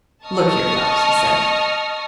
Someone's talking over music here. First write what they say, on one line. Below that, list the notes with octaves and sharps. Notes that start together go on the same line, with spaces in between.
"Look here, fellows," he said.
D#5 A5 C#6 D#6 F6